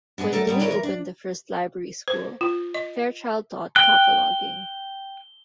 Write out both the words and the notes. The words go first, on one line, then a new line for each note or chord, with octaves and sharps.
When Dewey opened the first library school, Fairchild taught cataloging.
B3 D4 G#4 B4
F#3 A3 A4 A#4 D5
G3 A#3 B3
E4 A#4 B4 C#5 D5
E3 A#4
D4
C5
F4
D#5
G5 F#6 G7